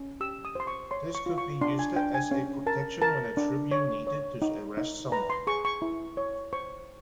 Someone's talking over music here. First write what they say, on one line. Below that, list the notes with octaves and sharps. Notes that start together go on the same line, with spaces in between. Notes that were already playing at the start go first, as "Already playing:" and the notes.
This could be used as a protection when a tribune needed to arrest someone.
Already playing: C#4
G4 E6
D#6
C5 C6
C#6
C#5 C6
C#6
F4
C#6
D4 C6
G#5
D4 G5
G#5
C#4
A#4 A5
A#4 A5
D4
C#5
C#5
D#4
D#4
B4 A#5
C6
G#4 C#6
C#6
E4
C#5
C5 C#6